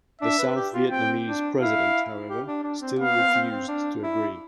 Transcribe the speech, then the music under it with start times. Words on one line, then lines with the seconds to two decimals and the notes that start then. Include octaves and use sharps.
The South Vietnamese president, however, still refused to agree.
0.21 D4 E5
0.39 B4
0.56 G4
0.74 F4
0.90 C4 G5
1.25 D4
1.60 E4 F5
2.29 G4
2.47 D4
2.64 D4
2.81 C4
2.99 B3 F5
3.17 C4
3.28 B3
3.33 C4
3.51 C4
3.68 D4
4.03 E4